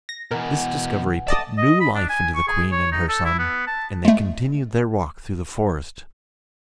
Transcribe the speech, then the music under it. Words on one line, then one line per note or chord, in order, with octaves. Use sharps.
This discovery put new life into the queen and her son, and they continued their walk through the forest.
A#6
B2 E3 A#4 B4 F#5 G#5
A3 D5 D#5 A5 D#6
D#5
B5
D4
G#5
C#6
G#4
C#5
D#4
A4
E4
B3
A5
G#3 A3